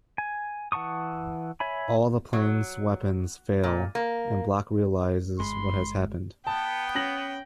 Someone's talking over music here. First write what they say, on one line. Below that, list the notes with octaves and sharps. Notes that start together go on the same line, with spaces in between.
All the planes' weapons fail and Block realizes what has happened.
G#5
E3 F#5 A5 C#6 D#6
C#5 E5 G#5 B5
F#3
A#2
A#3
G1 G#3 B5 C6
B3 G5 A5
C#4 A#6 F#7